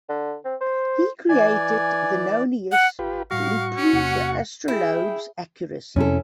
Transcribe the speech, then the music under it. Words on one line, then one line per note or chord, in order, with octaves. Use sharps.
He created the nonius to improve the astrolabe's accuracy.
D3
C4
C5
E3 D5 G#5
F#5
G#1 F4 G4 B4
A2 G3 F#4 F5 C#6 A#6
C#4
E2 C3 A#3 F#5
E4 G#4 G5
F2 C3 C#4 E4 A4